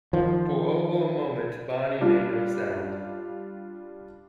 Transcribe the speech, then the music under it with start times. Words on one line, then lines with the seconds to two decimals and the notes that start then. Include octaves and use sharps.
For over a moment Bonnie made no sound.
0.13 D#3 F3
2.01 G3 D4 F4